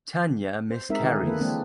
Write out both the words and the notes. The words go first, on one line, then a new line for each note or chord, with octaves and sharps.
Tanya miscarries.
C5
G#3 C4 D#4 A#4 E5
D3 D#3 D#4 G#4
D3 D#3 A#3 A4 B4
E3 G#3 A#3 C4 D4